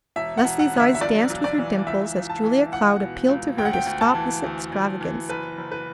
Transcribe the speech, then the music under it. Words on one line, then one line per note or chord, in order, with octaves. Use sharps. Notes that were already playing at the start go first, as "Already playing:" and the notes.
Leslie's eyes danced with her dimples as Julia Cloud appealed to her to stop this extravagance.
E1 E5
F#5
E1
F#5
D3
E5
E5
B1 D5
B1
D5
E3
C#2 E5
C#2
A5
E3
C#2 F#5
B2
C#2
D2 G5
F#5
G5
D2
A5
E3
D2
D2
E3
F#1 B4
F#1
B4